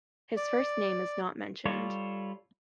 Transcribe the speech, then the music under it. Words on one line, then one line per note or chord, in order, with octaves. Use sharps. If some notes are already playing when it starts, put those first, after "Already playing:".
His first name is not mentioned.
D5
G3 F4 A4 C#5